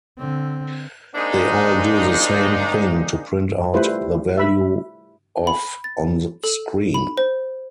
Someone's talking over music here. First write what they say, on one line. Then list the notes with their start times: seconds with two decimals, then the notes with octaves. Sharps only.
They all do the same thing-to print out the value of on screen.
0.19 D3 C4
1.15 G#3 A#3 C4 D4 D#4
3.74 G3 A3 E4 F4 B4 C5
4.37 E5 B5
5.47 B5
5.84 A6
6.44 A4
6.94 B5
7.17 C5